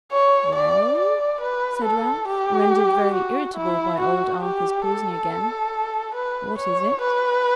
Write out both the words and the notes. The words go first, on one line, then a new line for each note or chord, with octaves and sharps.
'Well,' said Ralph, rendered very irritable by old Arthur's pausing again 'what is it?'
C#5
D5
D5
B4
A4
G4
F#4
E4
F#4
G4
A4
B4
C#5
B4